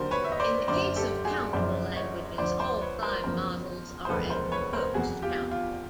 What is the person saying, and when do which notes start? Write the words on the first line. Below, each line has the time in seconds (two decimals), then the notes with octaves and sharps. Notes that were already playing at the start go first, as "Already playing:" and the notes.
In the case of countable languages, all prime models are at most countable.
Already playing: D#2 D3 F#3 A#4 C5
0.11 B4 C#5
0.24 E5
0.32 D#5
0.40 C5 D5
0.68 F#1 F#2 D3 C5 D5
0.96 G4 A4
1.25 F#4 G#4
1.53 G#1 F#2 C#3 F3 C5 D5
1.96 C#5 D#5
2.38 D2 D3 F3 C5 D5
2.60 C5 D5
2.81 B4 C#5
3.02 A#4 C5
3.24 F#1 E2 C#3 F3 A#4 C5
4.05 C5
4.09 E1 D2 C#3 F3 A4 B4
4.30 A#4 C5
4.52 B4 C#5
4.73 A#4 C5
4.94 F1 E2 B2 F#3 F#4 G#4
5.22 F4 G4
5.51 F4